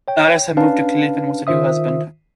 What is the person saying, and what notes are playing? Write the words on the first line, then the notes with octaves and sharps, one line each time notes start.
Alice had moved to Cleveland with her new husband.
C#5 G5
C#4 D4 B4 F5 A5
D#3 F4 C5 E5 D#6